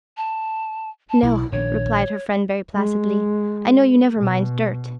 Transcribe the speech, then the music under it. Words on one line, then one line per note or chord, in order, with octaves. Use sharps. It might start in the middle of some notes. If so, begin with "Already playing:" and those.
"No," replied her friend very placidly, "I know you never mind dirt."
A5
A5
B1 E4
A#1 D#3 D4 C#5
G#3
B2